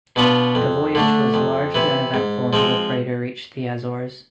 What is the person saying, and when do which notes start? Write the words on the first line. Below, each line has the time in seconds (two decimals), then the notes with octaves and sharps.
The voyage was largely uneventful until the freighter reached the Azores.
0.16 B2 B3 D4 F4
0.55 F2
0.95 D3 A3 D4
1.34 F2
1.75 C3 E3
2.14 G#2
2.53 F3 G#3 C4